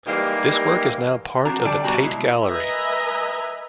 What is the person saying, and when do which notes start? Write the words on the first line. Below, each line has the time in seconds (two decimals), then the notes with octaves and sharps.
This work is now part of the Tate Gallery.
0.07 G#2 E3 G3 A#3 G4
1.45 F3 C4 D4 F#4 A#5
1.65 D3 G3 D5 G5 A5
1.84 B2 G3 F#4 A#5
2.02 B2 G#3 E4
2.45 A#4 B4 D#5 E5 G#5 A#5